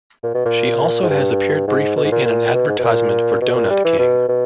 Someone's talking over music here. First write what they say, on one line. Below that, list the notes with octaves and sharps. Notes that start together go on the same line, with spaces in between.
She also has appeared briefly in an advertisement for Donut King.
A#2
B2
A#2
G#2
G2
G#2
B2
G#2
A#2
A#2
B2
G#2
B2
A#2
B2
A#2
G3
E3
B2
B2